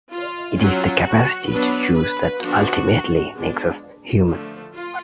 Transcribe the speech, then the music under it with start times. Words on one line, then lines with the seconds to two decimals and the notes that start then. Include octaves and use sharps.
It is the capacity to choose that ultimately makes us human.
0.11 F4
0.56 F#3 C#4 F4
1.03 F#4
1.49 F#3 B3 D4 B4
1.95 B4
2.41 D3 F3 B3 D4 F#4
3.34 G#3 B3 D4
4.27 D3 F3 A3
4.72 F4